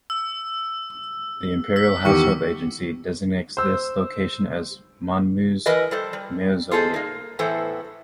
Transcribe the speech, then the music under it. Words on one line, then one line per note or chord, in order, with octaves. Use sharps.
The Imperial Household Agency designates this location as Monmu's mausoleum.
E6
E6 B6
E2 D#3 G4 C#6 C#7
C5 E6
E3 A#4 B4 D#5
G3 A4 C5
G3
F4 G#4 A4 B4 C5 D#5
A#3 D#4
A2 E3 B3 A4 C5